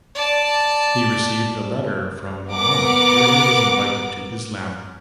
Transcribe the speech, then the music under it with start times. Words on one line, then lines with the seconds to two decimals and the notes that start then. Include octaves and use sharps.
He received a letter from Muhammad where he was invited to Islam.
0.15 D5 A5
2.48 B3 A#4 F#5 D6